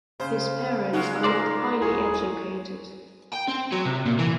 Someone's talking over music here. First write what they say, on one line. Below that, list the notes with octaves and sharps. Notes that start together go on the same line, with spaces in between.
His parents are not highly educated.
C#3 C5
G#3 D#4 F4 F#4
A#4 C5 D5
D#1 E4 G#4 C#6
G#5
G5
C4
F#3
C3
A#2
E3